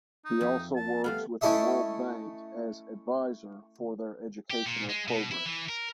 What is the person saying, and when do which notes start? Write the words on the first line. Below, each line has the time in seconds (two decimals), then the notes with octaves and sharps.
He also works with the World Bank as Advisor for their educational programs.
0.25 D#4
0.41 F2 E5
0.75 A5
1.04 G3 A3 B3 F5
1.41 A3 C#4 E4 A4 D#5 E5
4.50 G4
4.66 A#2
4.89 G#3
5.08 B2
5.32 E4
5.46 E3
5.69 A#4